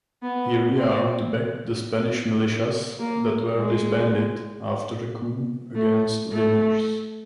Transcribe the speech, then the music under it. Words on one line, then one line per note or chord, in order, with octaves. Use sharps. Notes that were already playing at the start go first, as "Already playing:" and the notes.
He rearmed back the Spanish militias that were disbanded after the coup against Liniers.
B3
C4
A#3
G#3
A3
A3